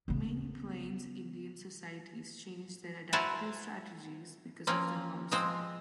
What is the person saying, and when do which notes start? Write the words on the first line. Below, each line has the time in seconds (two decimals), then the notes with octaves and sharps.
Many Plains Indian societies changed their adaptive strategies because of the horse.
0.08 C#3 B3
3.13 E4 F#4 A#4 C5 G#5 A5
4.67 F3 A#3 C4 C#4
5.31 F3 G#3 C4 C5